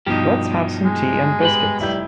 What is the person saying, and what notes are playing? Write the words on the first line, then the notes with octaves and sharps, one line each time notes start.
Let's have some tea and biscuits.
G2 B2 F3 D#4 G4
G#3
G#2 G4 B4
F1 G3 E4 G6